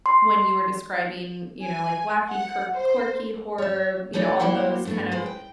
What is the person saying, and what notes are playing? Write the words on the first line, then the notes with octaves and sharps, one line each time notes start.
When you were describing, you know, like wacky, kirk quirky, horror, you know, all those kind of
C6
G#5
F#5
C5
C#5 E5
A3 D#4 B4 C#5 D5
G3 A#3 C4 E4 C5 F#5
G2 A3 B3
G#3 B4 C5
G5